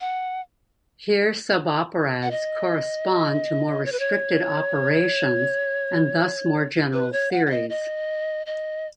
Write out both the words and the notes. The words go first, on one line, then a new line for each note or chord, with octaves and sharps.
Here suboperads correspond to more restricted operations and thus more general theories.
F#5
F#5
D#5
C#5
B4
C#5
B4
C#5
F#5
F#5
D#5
D#5
D#5